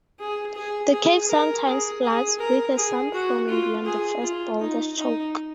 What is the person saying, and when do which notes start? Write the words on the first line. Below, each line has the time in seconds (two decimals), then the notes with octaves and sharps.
The cave sometimes floods, with a sump forming beyond the first boulder choke.
0.20 G#4
0.55 G#4
0.92 G#4
1.28 A#4
1.66 G#4
2.03 G#4
2.39 A#4
2.76 G#4
3.13 F#4
3.49 F4
3.86 G#4
4.23 F4
4.59 D#4
4.97 D#4